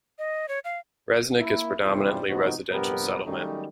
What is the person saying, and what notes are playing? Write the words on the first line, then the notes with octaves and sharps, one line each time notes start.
Resnik is predominantly residential settlement.
D#5
C#5
F5
A#3 E4
E2 G2 C3 G3 C#4 F4
G#2 C3 F3 B3 D#4 F#4
A#1 G2 C3 B3 G4 A#4
D#3 F#3 G3 A3 C#4 D#4